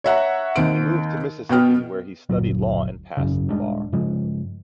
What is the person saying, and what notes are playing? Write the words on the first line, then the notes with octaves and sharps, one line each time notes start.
He moved to Mississippi, where he studied law and passed the bar.
C#5 E5 F#5 A#5
D#2 C4 D7
B2 B3 G5 F6
F#1 D2 A#2 F#3
G#1 F#2 C#3
D#1 G3 G#3 D4
G2 C#3 F3 G#3